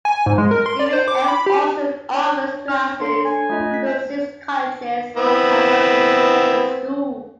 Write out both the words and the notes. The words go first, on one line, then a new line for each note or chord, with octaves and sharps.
Stephen F. Austin offers classes through six colleges and one independent school.
G#5
G#2
G#3
A#4
C6
D5
C5
D6
B5
G4
D4 C#5
F6
D4 A4 C#5 C6
G#5
A3 F4 D#5
C#4 F#6 B6
B3 C4 E4